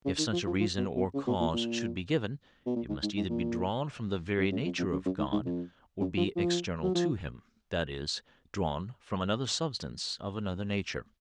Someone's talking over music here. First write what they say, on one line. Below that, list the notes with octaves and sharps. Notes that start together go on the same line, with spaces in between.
If such a reason or cause should be given, it must either be drawn from the very nature of God, or be external to him--that is, drawn from another substance of another nature.
C#3
D#3
F3
F3
F3
B2
B2
C#3
B2
A#2
A#2
B2
A#2
G#2
G#2
G#2
A#2
F#2
F#2
F2
F2
F#2
F#2
G#2
G#2
F2
F#2
F3
F3
F#3
F3